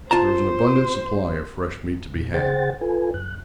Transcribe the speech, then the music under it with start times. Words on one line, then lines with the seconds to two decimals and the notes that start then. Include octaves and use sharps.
There was an abundant supply of fresh meat to be had.
0.11 F4 C5 A5 A#5
2.14 E2 A#2
2.34 C#3 G#4 C5 F#5 G5 A6
2.81 F4 A4 B4 G#5
3.14 F#2 F#6